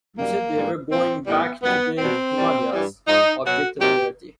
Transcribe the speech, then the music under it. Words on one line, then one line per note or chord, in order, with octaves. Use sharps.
"You said they were going back to the Himalayas," objected Bertie.
F#2 D#3 G3 A#3
G#2 E3 G3
A#2 F3 C4
A2 E3 G3 B3
F#2 D#3 G3 B3
B2 G3 C4
C3 D#3 G3
G2 E3 G3
G#2 F3 D#4
B2 F#3 F#4
C3 D#3 F#3 G4